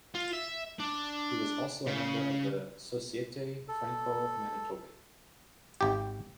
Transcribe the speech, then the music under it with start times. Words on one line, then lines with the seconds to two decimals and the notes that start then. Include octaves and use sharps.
He was also a member of the Societe Franco-Manitobaine.
0.15 F4
0.33 E5
0.80 D4
1.87 C#3
3.68 A4
5.81 G#1 G4